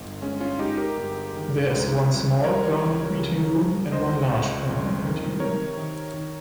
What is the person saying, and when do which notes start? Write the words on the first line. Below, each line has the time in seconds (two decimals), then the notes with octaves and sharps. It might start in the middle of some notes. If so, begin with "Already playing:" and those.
There is one small permanent meeting room and one large permanent meeting room.
Already playing: G1
0.22 G#3 C#4
0.40 C#4 F4
0.59 G#3 D#4 G4
0.77 G4 A#4
0.97 G1
1.34 D#3
1.70 C#2
2.07 G3
2.44 G3 A#4 C#5
2.82 C#2
3.18 C#3
3.56 G3
3.92 C#2 C5 D#5
4.29 C#2
4.66 F2
5.04 D#3
5.40 C3 A#4 C#5
5.77 D#3
6.14 D#3